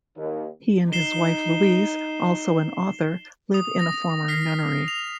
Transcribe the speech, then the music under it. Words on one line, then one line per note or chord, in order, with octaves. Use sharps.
He and his wife Louise, also an author, live in a former nunnery.
D#2
D#4 C7 E7 G7
D#6
D#6 A#6
F6 B6 C7
F7